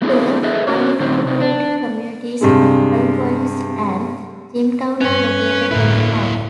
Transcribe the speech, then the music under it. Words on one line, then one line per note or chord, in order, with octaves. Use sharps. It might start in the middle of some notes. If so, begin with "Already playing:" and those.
The unincorporated communities of Five Points and Jimtown are located in the town.
A3 B3 C4 D4 E4 G#4
G#4 A4 B4 D#5 E5
C#4 F#4 A#4 C5 C#5
A2 D3 F#3 C4 D#4 C5
C3 D#4
D4
G2 C3 G#3
G2 C#4 B4 C#5
G1 D2 A2 A#3 E4